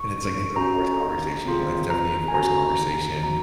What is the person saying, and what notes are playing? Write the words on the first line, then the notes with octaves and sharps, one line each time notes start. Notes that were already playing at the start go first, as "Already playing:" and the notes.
And it's like, it's a forced conversation. You know? It's definitely a forced conversation.
Already playing: C#6
C#4 F#4 A#5
C4 F4 G#4
A#5
G#5
C#4 F#4 A#5
C4 D#4 F#4 A#5